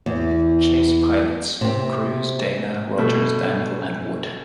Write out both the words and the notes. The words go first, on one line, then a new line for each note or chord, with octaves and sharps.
Chase pilots: Crews, Dana, Rogers, Daniel and Wood.
E2
C3 C4
B2 A3